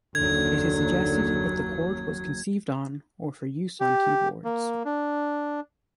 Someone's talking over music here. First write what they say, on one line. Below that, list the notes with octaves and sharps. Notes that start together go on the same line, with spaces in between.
It is suggested that the chord was conceived on or for use on keyboards.
F#1 D#2 D3 F#3 G#6
G4
A#3
D4